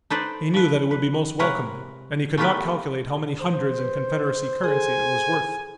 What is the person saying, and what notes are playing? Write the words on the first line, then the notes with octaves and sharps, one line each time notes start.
He knew that it would be most welcome, and he could not calculate how many hundreds in Confederacy currency it was worth.
D#4 A4 B4 C5 D5
F3 B4
B4
C3 G#3 A#4 B4 C#5 F#5
A3 B3 F4 G4 A#4 B4
C5
B4
G#4 A4 G#5